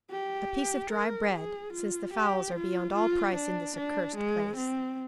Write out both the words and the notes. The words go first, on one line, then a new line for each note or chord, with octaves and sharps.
"A piece of dry bread, since the fowls are beyond all price in this accursed place."
G4
A#4
G#4
F4
G4
F4
F4
D4
D4
G#3
C4